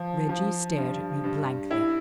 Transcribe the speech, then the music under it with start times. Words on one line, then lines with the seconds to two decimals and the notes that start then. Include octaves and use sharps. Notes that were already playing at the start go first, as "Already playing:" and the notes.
Reggie stared at me blankly.
Already playing: F3
0.29 F3
0.77 G2
1.24 G2
1.71 E4